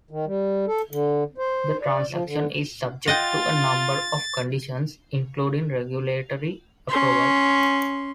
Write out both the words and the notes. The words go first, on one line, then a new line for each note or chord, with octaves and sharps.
The transaction is subject to a number of conditions, including regulatory approval.
D#3
G3
A4
D3
C5
D5
F3
D3
F4 D#5 F#5 G5 A6
C#4 C6